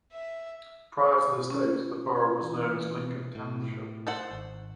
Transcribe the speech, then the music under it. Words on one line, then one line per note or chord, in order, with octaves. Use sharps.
Prior to this date, the borough was known as Lincoln Township.
E5
C#4
E3
A2
A4 C5 F#5
G#1